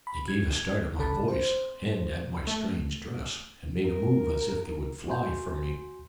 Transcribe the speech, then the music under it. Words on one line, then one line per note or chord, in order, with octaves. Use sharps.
They gave a start at my voice and at my strange dress, and made a move as if they would fly from me.
B5
G#6
G#1 C#3 A4 A5 B5
C5
A3
A#4
F#4 G#5 C6 G6